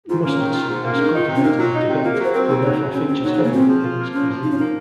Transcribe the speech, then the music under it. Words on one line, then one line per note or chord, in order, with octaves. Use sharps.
Mustard seed is cultivated in Tibet, and therefore features heavily in its cuisine.
G#2 F4
A#3 C#4
D#3
F4
G#2
A#3
C#4
D#3 D#4
D#4 F4
C3
C#4
A#3 D#4
F#3 F4
D#4
C3
A#3 F4
G#4
F#3 C5
C4 A#4
D#2 G#4
F#3 D#4
C#3
C4 C#4
D#2 C#4
F#3 D#4
D#4
C#3
A#3
F3 C4
F3
F4
A#3
F3 C#4
F3
D#4 F4
C#4
A#3 D#4